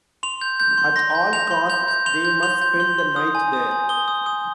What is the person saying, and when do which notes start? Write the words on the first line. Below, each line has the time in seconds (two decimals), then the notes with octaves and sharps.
At all costs they must spend the night there.
0.23 C6 F7
0.41 G6
0.60 G6
0.78 C6
0.96 C6 A#6
1.15 G6
1.33 G6 F7
1.51 C6
1.70 G6 F7
1.88 G6
2.06 C6 F7
2.25 G6
2.43 C6 F7
2.61 G6
2.80 C6
2.98 C6
3.16 D#6
3.35 G#5
3.53 D#6
3.71 G#5
3.89 D#6 G7
4.08 D#6
4.26 D#6